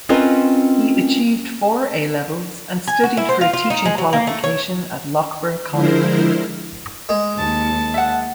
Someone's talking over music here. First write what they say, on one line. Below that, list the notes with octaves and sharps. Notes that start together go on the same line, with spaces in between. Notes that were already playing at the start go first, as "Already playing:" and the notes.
He achieved four A levels and studied for a teaching qualification at Loughborough College.
C4 C#4 F4 A#4 B4 D#5
G#5
F#4
E4
C5
F4
F4
D#4
G#3
F#3
A#3
A3
C#5
D3 F3 G#3 E4 A#4 C5
G#3
D#2 A5
E5 F#5